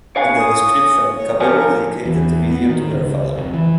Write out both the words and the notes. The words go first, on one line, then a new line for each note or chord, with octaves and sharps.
In the description Cabello dedicated the video to her father.
D4 C#5 F5 G#5
D#6
C#5
F3 A#4 C#5 G#5
E2
B3
D#3
C#2
F1
E3